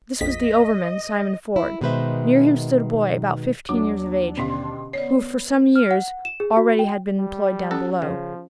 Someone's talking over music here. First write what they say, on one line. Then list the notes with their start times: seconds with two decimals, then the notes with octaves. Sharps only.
This was the overman, Simon Ford. Near him stood a boy, about fifteen years of age, who for some years already had been employed down below.
0.21 A#1 F2 D#5 B6
1.56 E4
1.81 B2 D#3 G#3 B4 C5 E5
3.69 D#2 F#3 D4 D6
4.37 B2 D3 C#4 G4 F5 C6
4.93 B3 C#5 D5 C7
5.76 F6
5.91 F#5
6.25 E7
6.40 G#4
6.57 F#4
6.79 G5
7.18 G3
7.71 C#4 G4 A4 F#5
8.02 C#3 F3